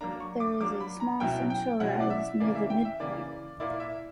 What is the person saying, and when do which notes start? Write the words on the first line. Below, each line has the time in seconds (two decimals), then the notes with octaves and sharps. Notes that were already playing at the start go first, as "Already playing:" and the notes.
There is a small central rise near the midpoint.
0.01 F#3 A#3 D4 A#5
0.20 C#6
0.40 D6
0.60 F#3 A#3 D4 D6
0.80 B5
1.00 A#5
1.20 B2 F#3 C#4 E4 G5
1.50 G5
1.80 B2 F#3 C#4 E4 F#5
2.00 D5
2.10 E5
2.40 C#3 E3 A#3 D5
2.55 E5
2.70 G5
2.85 E5
3.00 C#3 E3 A#3 D5
3.60 A#2 A#3 E4 D5
3.80 E5